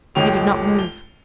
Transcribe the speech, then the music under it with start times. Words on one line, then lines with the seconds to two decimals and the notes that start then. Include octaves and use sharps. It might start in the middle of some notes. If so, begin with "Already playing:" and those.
He did not move.
0.15 F1 C#2 G#3 G4 C#5 F7
0.79 G7